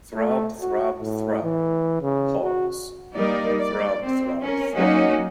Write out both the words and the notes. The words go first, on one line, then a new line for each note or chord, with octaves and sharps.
Throb, throb, throb, pause, throb, throb, throb.
A3
F#4
A2
E3
C#3
F#4
G3 A#3 D#4 A#4 D5
D5
C4
C#4 A#4
F#3 A#3 C#4 D#4 F#4